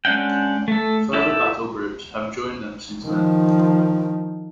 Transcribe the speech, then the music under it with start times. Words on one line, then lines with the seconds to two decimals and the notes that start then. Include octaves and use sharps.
Further battlegroups have joined them since then.
0.05 G#3 C#4 D4 F#5 G5
0.68 A3 A4
1.13 E4 G4 A4 B4
3.04 D#3 F3